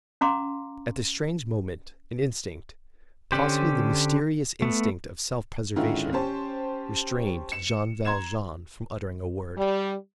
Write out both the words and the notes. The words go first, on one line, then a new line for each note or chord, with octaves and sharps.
At this strange moment, an instinct--possibly the mysterious instinct of self-preservation,--restrained Jean Valjean from uttering a word.
C#4 F5 A#5 C6 D6
D3 C#4 D4 G4 C5
A3 B3
G#2 D3 D#3 C#4 E4 F4
C#4 G4 C5 A5
C#7 E7
A#5 C6 G#6 E7
G3